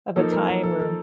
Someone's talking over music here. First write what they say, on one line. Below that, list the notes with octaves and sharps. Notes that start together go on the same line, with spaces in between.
of a time or
F3 A#3 D#4 A4
A#4
A#4
A4
A4